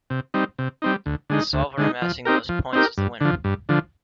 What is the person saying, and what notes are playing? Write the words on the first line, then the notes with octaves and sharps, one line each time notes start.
The solver amassing the most points is the winner.
C3
G3 C4 D#4
C3
G3 C4 D#4
D2
D3 G#3 D#4
D2
D3 G#3 D#4
F3
C4 D#4 G4 A#4
F3
C4 D#4 G4 A#4
G2
D3 F3
G2
D3 F3